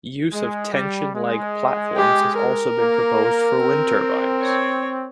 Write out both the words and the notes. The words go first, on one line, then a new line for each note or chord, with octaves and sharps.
Use of tension-leg platforms has also been proposed for wind turbines.
G#3
G3
G#3
G4
A#4
A#3
C4
C#5